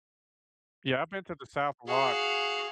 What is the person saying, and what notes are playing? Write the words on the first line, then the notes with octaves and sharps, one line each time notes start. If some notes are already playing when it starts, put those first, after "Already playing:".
Yeah, I've been to the South a lot.
F#4 G#4 F5